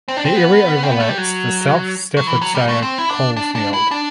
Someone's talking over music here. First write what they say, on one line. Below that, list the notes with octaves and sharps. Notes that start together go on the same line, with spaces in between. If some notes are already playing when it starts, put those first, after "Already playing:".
The area overlaps the South Staffordshire coalfield.
C4
D4
C4
B3
C4
B3
A3
G3
F#3
F#3
E3
F#3
G3
A3
C4
E4
D4
D4
D4
E4
D4